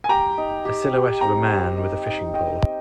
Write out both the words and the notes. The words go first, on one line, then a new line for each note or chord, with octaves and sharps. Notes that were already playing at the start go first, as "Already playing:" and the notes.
A silhouette of a man with a fishing pole.
G#5
G4 G5 A#5
D#4
G4
G4
C4 G5 A#5
C4
D#4
D#4
C4 D#5 G5
C4